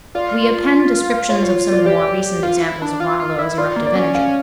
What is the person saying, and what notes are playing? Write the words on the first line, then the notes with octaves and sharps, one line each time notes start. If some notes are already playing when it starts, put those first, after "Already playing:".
We append descriptions of some of the more recent examples of Mauna Loa's eruptive energy.
F4 D5
F4 C#5
C#5
D5
G4 D5
F4 F5
E4
D4
F4
F4
E4
F4 D5
A#3
D5
C#4
C#4 F5